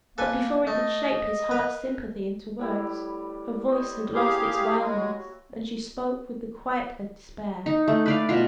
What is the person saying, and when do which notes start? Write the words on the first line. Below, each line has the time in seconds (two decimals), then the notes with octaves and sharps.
But before he could shape his heart's sympathy into words, her voice had lost its wildness, and she spoke with the quiet of despair.
0.18 A#3 A4 B4 G#5
0.67 A3 D#5
1.51 A#4 B4
2.59 A2 G3 E4
3.72 C5 C#5 D#5
4.14 A#3 E4 G4 G#4 F5
4.79 G#3 C#5
4.97 F#4
7.66 D#4
7.88 A3
8.06 B4 D5 F5
8.29 B2 F4